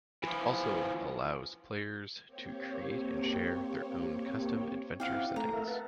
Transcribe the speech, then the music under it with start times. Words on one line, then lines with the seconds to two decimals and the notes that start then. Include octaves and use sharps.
It also allows players to create and share their own custom adventure settings.
0.23 E3 F3
2.26 A#3 C4 G4 C#5
5.00 C4 E4 G4 F5 F#5
5.36 A3 A4 A#5
5.53 A#4 E5 F5
5.67 B4 F#5 A5